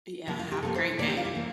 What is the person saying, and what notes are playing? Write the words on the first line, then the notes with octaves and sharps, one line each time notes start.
Yeah, have a great day.
C3 F3 A#3 E4
F4
G4
C3 F3 A#3 A4
C5
C3 E3 A#3 D5
G4
F4
E4
C3 E3 A#3